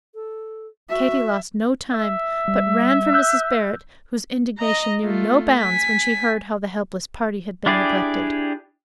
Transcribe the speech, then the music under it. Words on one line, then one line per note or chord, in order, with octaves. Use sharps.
Katy lost no time, but ran for Mrs. Barrett, whose indignation knew no bounds when she heard how the helpless party had been neglected.
A4
F#4 E5
E5
G3
E6 F#6 G6
D#5 A#5
A3 F4
G#5 B6
D4 E4 G4 G#4 D5